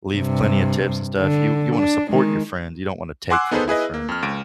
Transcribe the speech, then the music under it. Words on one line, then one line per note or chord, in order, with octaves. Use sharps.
leave plenty of tips and stuff. You you wanna support your friends; you don't wanna take from your friends.
G2 C3
D3
D4
D#3 G#3
F#5 G#5 C6 D6 E6 F#6
B3 D#4 G#4 A4 B4 C5
E4 G#4 B4 D#5
A#3
F2 F6
C#2 D7